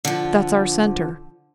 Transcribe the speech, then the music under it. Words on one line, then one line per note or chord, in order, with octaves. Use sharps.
That's our center.
D3 F3